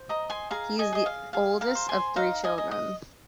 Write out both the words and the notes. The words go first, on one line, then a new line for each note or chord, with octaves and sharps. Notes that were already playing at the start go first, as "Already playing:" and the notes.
He is the oldest of three children.
Already playing: C5
D#5 A#5 D#6
G#5 C6
G#4 F5 A#5
D#5 G#5
G#4 D#5
F5
G#4 F5
F5 A#5
C5
G#5 C6
D#4 F5 A#5
D#5 G#5
D#5
D#5